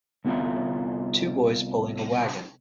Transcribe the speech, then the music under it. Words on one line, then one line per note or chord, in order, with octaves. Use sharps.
Two boys pulling a wagon.
C2 B3 E4 F4 E5